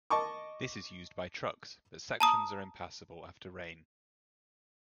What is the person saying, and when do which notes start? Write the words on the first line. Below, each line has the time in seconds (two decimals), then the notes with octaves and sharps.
This is used by trucks but sections are impassable after rain.
0.10 D#5 A5 C#6 D6
2.20 A5 A#5 D#6